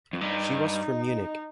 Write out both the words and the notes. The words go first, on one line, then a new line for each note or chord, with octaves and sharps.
She was from Munich.
F2
G2 D#4